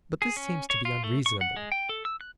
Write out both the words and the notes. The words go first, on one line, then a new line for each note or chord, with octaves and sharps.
But this seems to be unreasonable.
G#4
C#4
C#5
F4
A3
C#6
F#5
G#3
G5
A4
E6
F#6